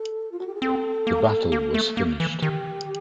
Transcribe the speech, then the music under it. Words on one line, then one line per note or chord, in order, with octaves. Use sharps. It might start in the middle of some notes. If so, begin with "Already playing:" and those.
The battle was finished.
Already playing: A4
F4
F#4
G4
G#4
C4 A4
A#3
A#3
A3
A#3
E3
D#3 G4